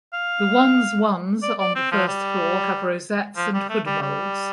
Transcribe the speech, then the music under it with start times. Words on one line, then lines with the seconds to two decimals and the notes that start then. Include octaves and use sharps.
The ones ones on the first floor have rosettes and hood moulds.
0.13 F5
1.43 D5
1.59 D5
1.76 C4
1.92 F3
2.07 G3
3.37 F3
3.54 G3
3.69 A3
3.86 G3
4.02 G3